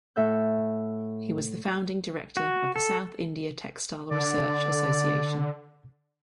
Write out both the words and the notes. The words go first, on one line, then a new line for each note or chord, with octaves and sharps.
He was the founding director of The South India Textile Research Association.
A2 A4 E5 F#5 G6
F#4
A4
D3 D5